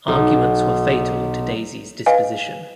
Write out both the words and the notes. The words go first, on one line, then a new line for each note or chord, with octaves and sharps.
Arguments were fatal to Daisy's disposition.
B1
B4 D#5 F5 G#5